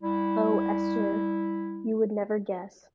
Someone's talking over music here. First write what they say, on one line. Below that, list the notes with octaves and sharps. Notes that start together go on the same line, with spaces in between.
Oh, Esther, you would never guess!
G3 E4